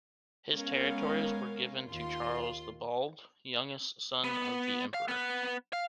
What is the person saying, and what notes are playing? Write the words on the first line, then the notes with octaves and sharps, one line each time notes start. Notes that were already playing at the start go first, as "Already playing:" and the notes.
His territories were given to Charles the Bald, youngest son of the Emperor.
G#3 B3 C#4 A#4 F5
D#2 F4 C6
B3
F5
B3 B4
F5